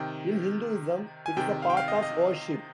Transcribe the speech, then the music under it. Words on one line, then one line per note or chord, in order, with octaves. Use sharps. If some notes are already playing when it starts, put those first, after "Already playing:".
In Hinduism it is a part of worship.
Already playing: C3 D#3 G5
G#5
C3 D#3 G5
F5
G5
F5
D#5
F5
D#5